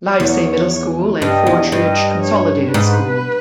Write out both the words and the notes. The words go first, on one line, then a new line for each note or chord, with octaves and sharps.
Livesay Middle School and Forge Ridge Consolidated School.
E2 C#5
G2 D#5
E2
G2 D#5
C#5
G#2 B4